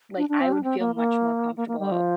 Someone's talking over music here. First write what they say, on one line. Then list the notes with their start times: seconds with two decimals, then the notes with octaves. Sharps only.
like, I would feel much more comfortable
0.17 D4
0.29 D4
0.41 C4
0.52 D4
0.64 C4
0.79 A#3
0.95 A#3
1.57 A#3
1.68 A#3
1.79 G3
1.92 F3